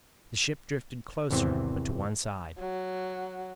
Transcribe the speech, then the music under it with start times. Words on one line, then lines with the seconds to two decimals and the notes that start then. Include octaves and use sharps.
The ship drifted closer, but to one side.
1.30 G#1 E2 C3 E3 C4
2.58 F#3